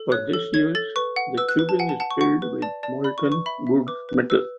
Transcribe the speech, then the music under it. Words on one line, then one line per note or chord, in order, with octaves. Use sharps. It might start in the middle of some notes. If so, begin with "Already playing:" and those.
For this use the tubing is filled with molten Wood's metal.
Already playing: A4
C#5 F#6
A4
C#5 G#6
A4 A6
B4 C#6
F#5
B4 E6
F#6
B4
A5
F#5 G#5
A5
F#5 A5
C#6
F#5 C#6
B4
D5 A5
D5 A5
D5 B5
C#6
B4
C#6
E5 B5
E5
B4 D6
B4
B4 E6